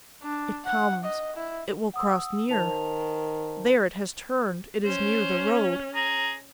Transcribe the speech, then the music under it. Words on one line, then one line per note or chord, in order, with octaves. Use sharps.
It comes--it will cross near--there, it has turned, it is near the road!
D4
F#5
D#5
E4
F#5 D#6 E6
D#3 C5 A5 F7
C#4 C5
G#4 A#5